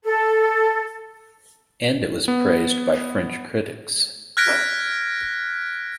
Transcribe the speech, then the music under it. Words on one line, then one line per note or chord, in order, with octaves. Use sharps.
And it was praised by French critics.
A4
B3
F6 F#6 G#6 A#6 B6 D7